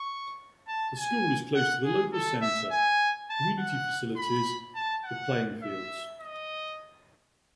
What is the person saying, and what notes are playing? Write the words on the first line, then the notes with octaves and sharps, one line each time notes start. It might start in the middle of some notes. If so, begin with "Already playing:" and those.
The school is close to the Local Centre, Community Facilities, the playing fields.
Already playing: C#6
A5
G#5
F#5
G#4
A4
E5
G#5
A5
F#5
B5
A5
F#5
E5
D#5